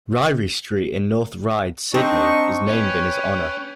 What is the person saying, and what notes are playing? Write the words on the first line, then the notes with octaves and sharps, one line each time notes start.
Ryrie Street in North Ryde, Sydney is named in his honour.
C4 D4 D#4 C#6
C#4 B4 C#5 G5